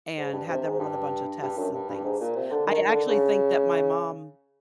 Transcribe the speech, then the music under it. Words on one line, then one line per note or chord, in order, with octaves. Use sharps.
and had them run a bunch of tests and things. I actually think that my mom,
G#2
G2
C3
G#2
G2
G2
F#2
G2
G2
G#2
A#2
C3
D3
D#3
D3
C#3